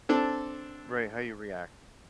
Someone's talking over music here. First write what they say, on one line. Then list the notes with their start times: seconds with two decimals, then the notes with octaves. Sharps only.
Right, how you react?
0.09 C4 D4 A4